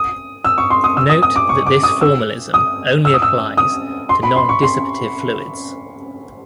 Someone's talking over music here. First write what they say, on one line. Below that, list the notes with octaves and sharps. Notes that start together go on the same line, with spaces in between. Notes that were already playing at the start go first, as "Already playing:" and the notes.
Note that this formalism only applies to nondissipative fluids.
Already playing: D#6
E6
C#6
C6
D#6
E6
D#6
D#6
D6
C#6
D6
D#6
E6
D#6
E6
D#6
E6
D#6
C6
B5
C6
C#6
C6